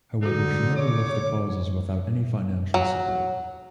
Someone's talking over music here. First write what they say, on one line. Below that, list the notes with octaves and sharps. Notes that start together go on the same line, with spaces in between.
However she never left the causes without any financial support.
D3 D#4 F#4 A4
C#5 D6
F#3